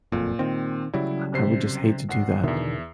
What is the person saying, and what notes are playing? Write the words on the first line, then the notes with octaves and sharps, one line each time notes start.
I I would just hate to do that.
F#1 F2 A#2
D#3 C4
C#3 F#3 G3 E4
C3 C5 C7
G#1 F#5 C7
E2 B2 D3 D#3 E5